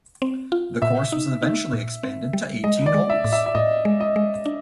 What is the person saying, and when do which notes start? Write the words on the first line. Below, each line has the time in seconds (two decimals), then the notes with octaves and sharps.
The course was eventually expanded to eighteen holes.
0.22 C4
0.52 F4
0.82 A#2 E5
1.12 D#4
1.42 D#4
1.73 A#2
2.03 C4
2.33 G3
2.64 G#3 D#5
2.86 D5
2.94 G#3
3.10 E5
3.24 A2
3.32 E5
3.46 E5
3.55 A2 D#5
3.85 G#3
4.00 D#5
4.16 G#3
4.46 D4